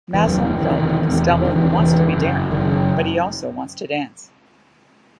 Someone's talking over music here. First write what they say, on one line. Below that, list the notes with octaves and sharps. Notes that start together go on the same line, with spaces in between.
Maslin felt that Costello "wants to be daring, but he also wants to dance".
E1 E2 C3 E3
F#2 F#3
E3
E1 E2 C3 D#3
E1 E2 C3
D#3
E1 E2 C3 E3
D#3
E3
F#1 F#2
F#1 D#3
F#2